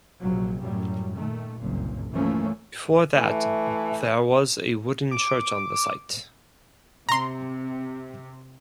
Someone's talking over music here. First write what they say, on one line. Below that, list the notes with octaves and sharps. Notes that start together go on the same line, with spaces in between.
Before that there was a wooden church on the site.
A#1 C3 F3 F#3
F#2 A2 F#3 G3
A#2 D#3 A3
F#1 C2 G2 A#2
E3 F3 A3 A#3 C#4
E3 A3
D6
C3 A#5 C6